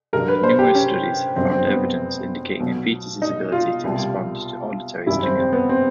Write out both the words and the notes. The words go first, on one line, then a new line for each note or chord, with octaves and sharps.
Numerous studies have found evidence indicating a fetus's ability to respond to auditory stimuli.
A1 G2 D3 F#3 A#4
B4
C5
G4
C#4
G1 F#2 D3 F#3 C4
C4
B3
B1 B2 F#3
D#4
F4
C2 B2 G3
G#1 F#2 D#3 G3 E4
C4
C4
B3
C4